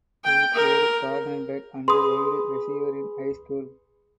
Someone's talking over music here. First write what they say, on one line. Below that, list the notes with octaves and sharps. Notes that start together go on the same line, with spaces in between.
He played cornerback and wide receiver in high school.
G5
A#4
G#4 B4 B5 C6 D#6